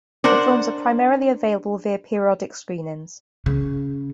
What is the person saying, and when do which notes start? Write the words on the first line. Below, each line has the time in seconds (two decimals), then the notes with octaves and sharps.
The films are primarily available via periodic screenings.
0.24 D4 A#4 C5 F#5
3.46 C#3